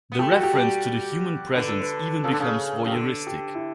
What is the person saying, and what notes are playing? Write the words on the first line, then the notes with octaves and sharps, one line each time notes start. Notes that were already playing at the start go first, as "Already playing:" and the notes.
The reference to the human presence even becomes voyeuristic.
B3
A3 G4
F#4
G4
G3
D3 B4
A4
B4
C#3 A4
D3
C#3
C#3 G4
D3 A4
G4
E4